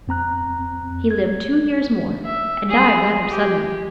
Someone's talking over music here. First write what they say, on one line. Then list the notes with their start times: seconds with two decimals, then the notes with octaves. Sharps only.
He lived two years more, and died rather suddenly.
0.08 F2 C4 A#5 F#6
1.11 G#6
2.24 E5
2.68 G#4
3.29 G4